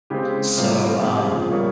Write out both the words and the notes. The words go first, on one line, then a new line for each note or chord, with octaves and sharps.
So, um
C#3 G#3 C4 G4
C3 G3 C4 F4
F4
C#3 F3 C4 G4
F4 G#4
A#2 G3 A#3 A#4 C#5